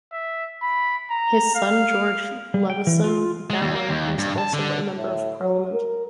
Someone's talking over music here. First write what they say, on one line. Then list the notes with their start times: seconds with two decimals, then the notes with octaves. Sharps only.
His son George Leveson-Gower was also a Member of Parliament.
0.12 E5
0.62 B5
1.11 A#5
1.55 F5
2.54 G3
2.70 G5
2.87 E3
3.04 F4
3.50 G#3
3.62 D#2
3.75 A#3
3.89 D#2
4.18 G2
4.38 A5
4.53 D3
4.98 A2
5.42 F#3
5.74 A#4